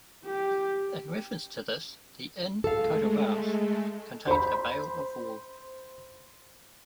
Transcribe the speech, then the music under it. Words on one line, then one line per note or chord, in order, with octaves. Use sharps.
In reference to this, the Inn coat of arms contained a bale of wool.
G4
G#3 A3 A4 F5
C5 B5